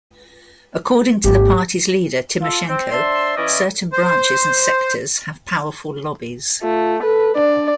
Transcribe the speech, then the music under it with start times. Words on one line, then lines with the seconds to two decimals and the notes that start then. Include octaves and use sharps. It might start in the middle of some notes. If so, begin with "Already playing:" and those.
According to the party's leader Tymoshenko: Certain branches and sectors have powerful lobbies.
1.24 G#1 A#3 G4
2.42 F4 A4
2.68 C4
2.92 D4 C5 E5 A5 C6
3.37 E3 C#4 E4 D5 D#5
3.93 C5
6.62 A3 F4
7.03 A4 B4
7.36 D4 D5